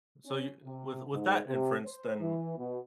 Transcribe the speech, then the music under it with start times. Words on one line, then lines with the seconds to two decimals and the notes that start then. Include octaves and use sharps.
so you with with that inference, then
0.24 C#4
0.63 C3
1.12 G#2
1.46 C3
1.84 C5
2.18 E3
2.56 B2